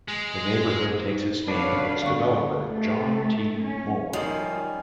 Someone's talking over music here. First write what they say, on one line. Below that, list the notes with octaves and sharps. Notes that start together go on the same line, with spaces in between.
The neighbourhood takes its name from its developer, John T. Moore.
G#3
D#4 C5
D4 F#4 B4 C#5 D5 F5
D3 B3 F5 C#6
A3
C#4
F#2 D#3 F3 G3 C#4 D#5